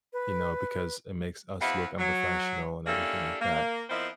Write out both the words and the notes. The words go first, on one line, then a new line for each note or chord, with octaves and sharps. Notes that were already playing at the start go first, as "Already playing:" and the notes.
you know, because it makes us look unprofessional," and everything like that,
B4
E2 B3 C4 E4 F5
F#3
A#3 C#4 D4 E4 G4 A4
A#3
F3 B3 C4 E4 A#4 D#5